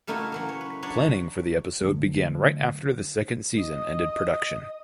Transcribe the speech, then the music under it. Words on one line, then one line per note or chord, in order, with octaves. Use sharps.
Planning for the episode began right after the second season ended production.
C#3 A3 A#3 D#4 E4 F#4
E3 F#3 A#3
C#5
B4
F#3 D4 B4 C#5
D3 F#3 G#3 A3
D#5 D#6